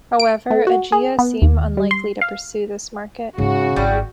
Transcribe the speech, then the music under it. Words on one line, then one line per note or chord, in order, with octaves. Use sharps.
However Ageia seem unlikely to pursue this market.
D7
A3
F#4
G#4
B3
D#2
G3
C6
F5
G#2 C#3 D4 F#4
G#1 G3 E4 G#4